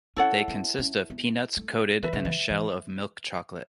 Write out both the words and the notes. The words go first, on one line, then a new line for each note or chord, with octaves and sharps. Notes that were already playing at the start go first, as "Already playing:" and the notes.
They consist of peanuts coated in a shell of milk chocolate.
C#4 E4 A4 C#5 F#5
B3
C#4
B3
A3
E3 B4 E5 B5
C#3
E3
E3